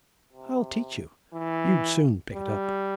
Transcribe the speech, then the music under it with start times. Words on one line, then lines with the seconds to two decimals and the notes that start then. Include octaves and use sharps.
I'll teach you--you'd soon pick it up.'
0.33 C3
1.34 E3
2.34 G3